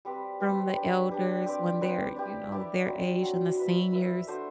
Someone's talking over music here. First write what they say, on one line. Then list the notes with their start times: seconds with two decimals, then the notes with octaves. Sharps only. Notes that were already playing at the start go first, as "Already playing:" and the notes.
from the elders when they're, you know, their age and the seniors.
0.05 G3 C4 G4 B4
0.40 G3 C4 G4 B4
0.75 D4 G4 B4
1.11 D4 G4 B4
1.46 C4 G4 B4 D5
1.81 C4 G4 B4 D5
2.16 E4 G4 B4 D5
2.52 E4 G4 B4 D5
2.87 F#3 C4 F#4
3.22 F#3 C4 F#4
3.57 E4 B4 E5
3.92 E4 B4 E5
4.27 A3 D4 F#4 C5